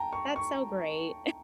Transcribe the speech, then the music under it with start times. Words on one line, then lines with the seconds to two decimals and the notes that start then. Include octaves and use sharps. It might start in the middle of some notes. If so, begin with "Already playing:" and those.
that's so great.
Already playing: G5 A5 A#5
0.13 C#6
0.36 C#6